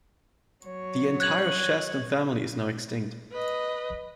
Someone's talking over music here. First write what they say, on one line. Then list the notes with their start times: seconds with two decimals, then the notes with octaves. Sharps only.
The entire Shastan family is now extinct.
0.64 F#3 C#5
1.20 F#6 G#6 F#7
3.32 B4 D#5